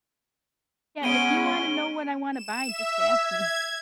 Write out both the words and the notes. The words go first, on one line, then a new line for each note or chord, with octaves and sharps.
Yeah, if you wanna know what I wanna buy, just ask me.
G#3 B3 C#4 D7 D#7 G7
E7
E5
G#6